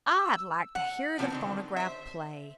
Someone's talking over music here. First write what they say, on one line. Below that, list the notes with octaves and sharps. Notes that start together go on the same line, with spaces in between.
"I'd like to hear the phonograph play."
E6
F#5
A2 C3 F3 G#3 B3 C4
D3 D#3 C4
C5 E5